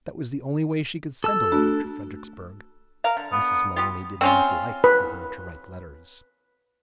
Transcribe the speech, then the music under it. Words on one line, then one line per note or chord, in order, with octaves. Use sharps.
That was the only way she could send a letter to Fredericksburg. Mrs. Maloney did not like for her to write letters.
A4 A5 E6
A3 D4 F#4
A#4 F5
D3
B3
B3 F4 G4
C4 C#4 F4
B4